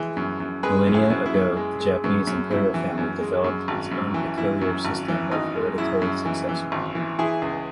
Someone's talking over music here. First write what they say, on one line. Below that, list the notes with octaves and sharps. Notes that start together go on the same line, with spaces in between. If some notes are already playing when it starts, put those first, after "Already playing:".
Millennia ago, the Japanese imperial family developed its own peculiar system of hereditary succession.
Already playing: E3 G#3
F#2
F#2
G#3 G#4 B4
F#2
E4 G#4
F#2
E4
F#2
G#3
G#3
F#2
F#2
F#2 E4
E3
F#2
G#3
F#2
G#1
F#2
E3
E3 E4
F#2
G#1
E3
G#1 D#4
G#3
F#2 E4
F#2
E3
E3
G#1
E3
E3 E4 G#4
C#2